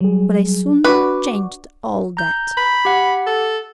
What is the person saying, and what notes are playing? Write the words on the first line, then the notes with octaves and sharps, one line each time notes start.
But I soon changed all that.
F#3 G3 G#4
D4 F#4 B4 C#6 D6
A#5 G6
B5
G4 F#5
A4